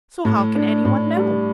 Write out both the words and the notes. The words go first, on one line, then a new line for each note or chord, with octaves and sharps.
So how can any one know?
A2
D4
A2
G3